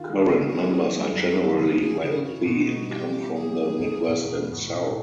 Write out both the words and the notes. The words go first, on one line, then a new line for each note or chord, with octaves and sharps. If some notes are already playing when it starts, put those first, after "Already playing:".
Current members are generally wealthy and come from the Midwest and South.
Already playing: D#3 F4
G#3
C#3 G#4
C#3
F#4
F#3
E3 G#4
E3
G#4
G3 G4
G#4
F#2 A4
B3
D#3
C#3 G#4
C4
G#4
F3
C#3 G#4
C#3
F#4
E3
B2 F4
D#4
F#4
G3
E3 G4
F4
A3
F#3 G#4
G4
B3
C#2
A#3
B2
E2
B3
B2
A2 A4
A2